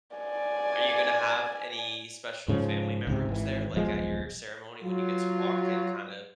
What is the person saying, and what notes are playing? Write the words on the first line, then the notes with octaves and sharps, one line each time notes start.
are you gonna have any special family members there, like, at your ceremony when you get to walk and kind of
D5 G#5
G#2 C#3 F3
C#2 G#2 C3
G#1 E3
D#1 B1 F3 G#3
F#3 F4